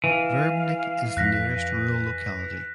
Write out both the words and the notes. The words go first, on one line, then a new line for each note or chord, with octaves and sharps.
Verbnik is the nearest rural locality.
E3 F5
F2 F#6 A#6 B6